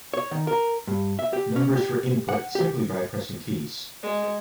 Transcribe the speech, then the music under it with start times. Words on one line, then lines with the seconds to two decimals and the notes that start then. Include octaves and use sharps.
Numbers were input simply by pressing keys.
0.14 C#5
0.31 D#3
0.47 A#4
0.87 G2
1.19 E5
1.33 G4
1.56 C#4
1.76 G4
2.29 F#5
2.55 G4
4.03 G#3